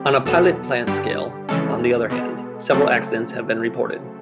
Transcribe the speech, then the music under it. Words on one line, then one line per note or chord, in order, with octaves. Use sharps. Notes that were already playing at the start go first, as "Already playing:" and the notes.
On a pilot plant scale, on the other hand, several accidents have been reported.
Already playing: D#3 G3 C4 G4
E2 B2 F#3 B3 A4
G2 D3 G3 G4
F2 C#3 E3 G#3 C#4 A4
B2 G#3 B3
C#3 F#3 A3 C4 A4